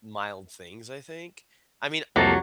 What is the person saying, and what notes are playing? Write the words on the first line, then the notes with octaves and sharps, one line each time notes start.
mild things, I think. I mean,
C2 F2 C3 F#3 A#3 A4